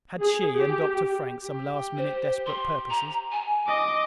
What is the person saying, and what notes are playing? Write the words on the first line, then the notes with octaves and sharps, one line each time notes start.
Had she and Dr. Frank some last minute desperate purposes?
G#4
G4
G4
C5
C6
A#5
G#5
D#5 D6